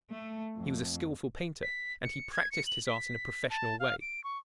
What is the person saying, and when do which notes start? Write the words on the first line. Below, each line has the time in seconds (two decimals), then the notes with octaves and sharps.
He was a skilful painter, and he practised his art in a professional way.
0.12 A3
0.58 F2
1.62 B6
2.04 C#7
2.32 G#6
2.52 C#7
2.67 F#7
2.86 B6
3.50 A5
3.80 F5
4.01 D7
4.24 C#6